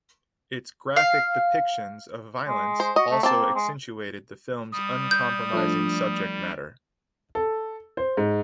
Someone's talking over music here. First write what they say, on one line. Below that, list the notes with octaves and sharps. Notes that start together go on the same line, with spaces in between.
Its graphic depictions of violence also accentuated the film's uncompromising subject matter.
F5
G#3
C5
F#4 D#5
A3
A#3 C4 A5
G#3
G3 D#6
G6
F3 A3 D4
A4
C5
G#2